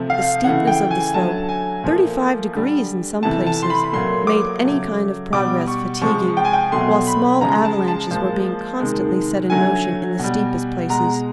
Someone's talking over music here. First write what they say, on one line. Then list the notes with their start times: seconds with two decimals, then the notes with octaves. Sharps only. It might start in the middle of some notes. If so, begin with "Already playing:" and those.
The steepness of the slope--thirty-five degrees in some places--made any kind of progress fatiguing, while small avalanches were being constantly set in motion in the steepest places.
Already playing: C3 F3 A3
0.10 F5
0.44 C#3 E3 A3 F#5
0.67 G5
0.91 G#5
1.14 D3 F#3 A3 A5
1.49 G#5
1.84 A#2 F3 A3
2.54 D3 G3
3.23 C3 E3 A3 A5
3.47 A5
3.63 C6
3.70 B5
3.84 B5
3.93 A#2 F#3 A3 C6
4.27 D6
4.63 C#3 F#3 A3
5.32 B2 G3 D6
5.67 C#6
6.01 C3 F3 G#3 C#6
6.37 G5
6.45 G#5
6.53 G5
6.72 B2 F#3 A3 C6
7.07 B5
7.41 C#3 F3 G#3 A#5
7.65 A5
7.88 A5
8.11 A#2 F3 G#3
8.80 C3 D#3 G#3
9.50 D3 F#3 A3 G#5
10.19 B2 G3
10.89 B2 G#3 A#5